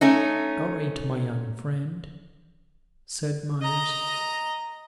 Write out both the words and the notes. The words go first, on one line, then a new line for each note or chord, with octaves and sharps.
"All right, my young friend," said Myerst.
A3 C#4 D#4
D#5 A#5